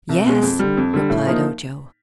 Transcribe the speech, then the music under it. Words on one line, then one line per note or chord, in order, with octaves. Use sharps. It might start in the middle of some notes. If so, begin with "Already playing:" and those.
"Yes," replied Ojo.
C2
B2 G#3
F2
D3 G3
F2
D3 G3
A2
F3 A#3 D#4